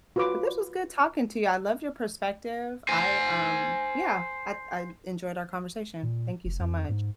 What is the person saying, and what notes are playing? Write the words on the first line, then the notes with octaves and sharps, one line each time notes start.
But this was good talking to you. I love your perspective. I, um, yeah, I I enjoyed our conversation. Thank you so much.
F4 F#4 B4 C#5 D6
C5 G#5
A#2
F1
F2
G#2